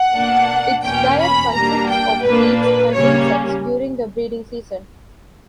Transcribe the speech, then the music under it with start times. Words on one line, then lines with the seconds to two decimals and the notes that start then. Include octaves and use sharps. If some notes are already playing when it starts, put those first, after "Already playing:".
Its diet consists of seeds, and insects during the breeding season.
Already playing: F#5
0.14 B2 A#3 D4
0.83 E2 B2 A#3 C#4 G5
1.19 B5
1.54 B2 G3 A#3 D4 A#5
1.88 G5
2.24 A#2 A#3 D4 B4
2.59 B4
2.94 C#3 G3 A#3 C#4 C#5